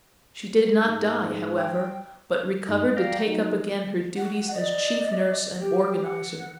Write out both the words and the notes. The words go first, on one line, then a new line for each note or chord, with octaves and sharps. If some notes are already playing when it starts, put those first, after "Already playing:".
She did not die, however, but recovered to take up again her duties as chief nurse and organizer.
G#2
G5
G2 D#4
D5 F5 G5 A#5
F#3 D#4
F#5
D5 D#5
G4 G5
F#5